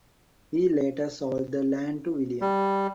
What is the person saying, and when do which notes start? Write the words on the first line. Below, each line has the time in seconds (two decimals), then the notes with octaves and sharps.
He later sold the land to William.
2.41 G3